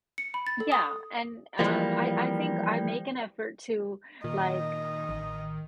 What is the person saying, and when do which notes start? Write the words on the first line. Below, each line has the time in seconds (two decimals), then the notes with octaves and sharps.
Yeah, and, um, I I think I make an effort to, like,
0.18 C#7
0.34 B5
0.47 A6
0.60 A4
0.72 D#6
1.59 E3 F3 G3 G#3 A#3
4.24 A#2 D#3 D#5
5.09 A1